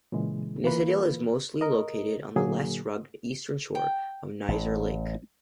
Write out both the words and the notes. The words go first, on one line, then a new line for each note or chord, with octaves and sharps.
Nissedal is mostly located on the less rugged eastern shore of Nisser Lake.
A#2 C#3 E3 G#3
E3 A#3 F4 B4
A#4 D#5
A#2 D3 F#3 A#3 G#4
G5
A1